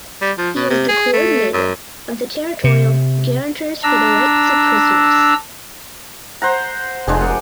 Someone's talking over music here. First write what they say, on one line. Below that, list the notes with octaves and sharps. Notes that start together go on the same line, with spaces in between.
He is the Coordinator of the territorial guarantors for the rights of prisoners.
G3
F3
B2
C3
G#4
A3
F#2
C3
D4 A#5 E6
C5 F#5 A#5
F1 G#3 D4 G#4
A#4 F#5